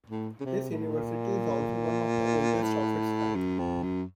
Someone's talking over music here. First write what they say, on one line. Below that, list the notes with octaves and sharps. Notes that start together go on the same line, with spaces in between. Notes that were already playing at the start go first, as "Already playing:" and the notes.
This university is also one of the oldest of its kind.
A2
C#3
C3
A2
A#2
A2
F#2
F2
F#2